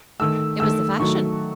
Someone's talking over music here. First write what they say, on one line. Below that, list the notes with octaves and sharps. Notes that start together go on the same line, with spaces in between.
It was the fashion.
D#3 A3 E6
D#3 A3 E6
D#3 F#3 A3 C#6